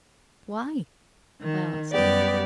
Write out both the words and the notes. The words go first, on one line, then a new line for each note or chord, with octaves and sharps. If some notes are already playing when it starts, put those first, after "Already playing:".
"Why?" I asked.
D#3
F#2 G3 B3 G4 D5